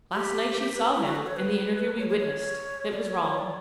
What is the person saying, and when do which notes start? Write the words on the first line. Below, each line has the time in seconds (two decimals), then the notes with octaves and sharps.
Last night she saw him, in the interview we witnessed. It was wrong.
0.13 G4
0.75 B4
0.95 E4
1.05 F#4
1.15 A4
1.26 C#5
1.37 B4
1.99 C#5
2.09 C#5
2.19 C#5
2.92 D5
3.08 C#5
3.23 C#5
3.38 D5